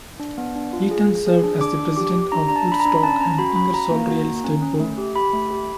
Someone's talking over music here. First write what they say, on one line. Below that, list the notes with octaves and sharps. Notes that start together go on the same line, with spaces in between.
Eaton served as the President of Woodstock and Ingersoll Real Estate Board.
D4
B3
D4
F4
G#4
G#4
G#4
D4
D4 D6
D4
G4 D6
G4
D4 A#5
D4 A#5
A5
D4 B5
A#5
D4 B5
A#5
C#4 A5
C#4 A#5
F#4 B5
C#4 B5
F#4 A#5
A#3
F#4
A#3
C#4
C#4
A3
G4
G4 B5
A3
G4